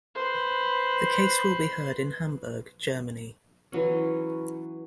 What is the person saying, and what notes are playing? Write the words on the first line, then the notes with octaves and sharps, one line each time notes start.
The case will be heard in Hamburg, Germany.
B4 C5
E3 F#3 C#4